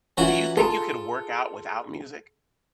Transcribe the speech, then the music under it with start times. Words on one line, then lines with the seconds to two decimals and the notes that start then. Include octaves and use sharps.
do you think you could work out without music?
0.17 E3 C#4 F4 F#4 A#5
0.57 F4 G#4 A4 A5 A#5